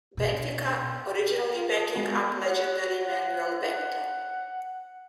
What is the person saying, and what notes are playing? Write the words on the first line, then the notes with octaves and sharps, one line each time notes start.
Benfica, originally backing up legendary Manuel Bento.
B2
G5
F4
D#5 A5
G#3 B3 F#4 A#4
C#5 F#5